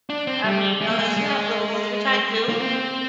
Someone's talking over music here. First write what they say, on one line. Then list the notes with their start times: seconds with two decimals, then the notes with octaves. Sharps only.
I mean, unless you have little ones, which I do,
0.10 D4
0.27 C4
0.45 G3
0.82 G#3
0.89 A#3
0.99 G#3
1.16 G#3
2.49 A#3
2.60 C4